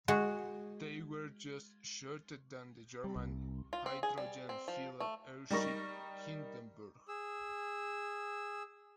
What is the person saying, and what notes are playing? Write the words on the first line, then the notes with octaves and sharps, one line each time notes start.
They were just shorter than the German hydrogen-filled airship "Hindenburg".
G#3 F#4
G3
C2
F4
C4
G#4
G3
C4
F3
A3
G3 D#4 A#4 C#6 A#6
G#4 E6